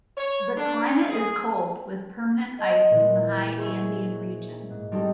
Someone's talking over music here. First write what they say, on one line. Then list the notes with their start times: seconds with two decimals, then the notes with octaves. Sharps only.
The climate is cold, with permanent ice in the high Andean region.
0.17 C#5
0.57 D4
1.09 G#4
2.59 D#5 C6
2.91 A#2 E3
3.57 G#4 C5 C#5 E5 E6
4.70 G#2
4.92 G3 G#3 C4 D#4 G4 A4